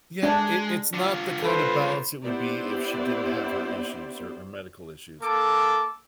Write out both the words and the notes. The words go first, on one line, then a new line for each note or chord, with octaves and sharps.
Yeah, it it's not the kind of balance it would be if she didn't have her issues, her, eh, medical issues.
G#3 D4
D3 F4
A4 B4 C5
B3 D4 E4 G4 C5 D5
A#3 A4 D6